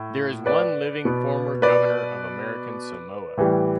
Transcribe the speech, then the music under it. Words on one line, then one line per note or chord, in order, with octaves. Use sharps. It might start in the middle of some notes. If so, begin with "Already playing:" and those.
There is one living former governor of American Samoa.
Already playing: A2
B4 D5
B2 B3
B4 D5
A2 E3 G3